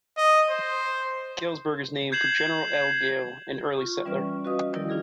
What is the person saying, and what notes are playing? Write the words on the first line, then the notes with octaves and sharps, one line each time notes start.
Galesburg is named for General L. Gale, an early settler.
D#5
C5
G6 G#6 C7 E7 F#7
F4 C#6
E3 G3 C#4 B4 D5 F6
F#4 B4 D#5 F5 D#6
D#3 F3 G3 E4 A#4 D5
D4 F4 G#4 A#4